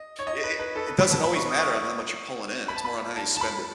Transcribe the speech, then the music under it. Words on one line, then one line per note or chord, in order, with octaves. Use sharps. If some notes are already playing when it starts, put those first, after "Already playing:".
it it it doesn't always matter on how much you're pulling in, it's more on how you spend it.
Already playing: D#5
C#5
D#5
B4
B4
A4
B4
B5
A5
B5
C#6
D#6
C#6
B5
A5
B5
A5
A5
B5